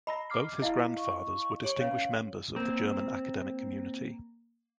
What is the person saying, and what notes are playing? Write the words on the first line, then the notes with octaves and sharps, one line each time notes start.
Both his grandfathers were distinguished members of the German academic community.
D#5 A#5 B5 A#6
D6 F6 C7
E4 D#5 F5
C#6
G4 C#5 C#6 D7 F#7
C#4 B4 C#5 F5
A#3 C4